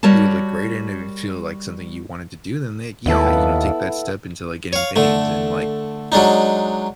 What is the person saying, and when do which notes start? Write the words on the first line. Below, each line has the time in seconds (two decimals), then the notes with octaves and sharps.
you would look great in, if you feel like something you wanted to do, then, like, yeah, you know, take that step into, like, getting bangs." And, like,
0.03 G3 F#4 A#4 C#5 A5
3.06 D#2 B3 E4 A4
4.73 C#5 F5
4.96 D3 A3
6.12 F#3 G#3 D4 D#4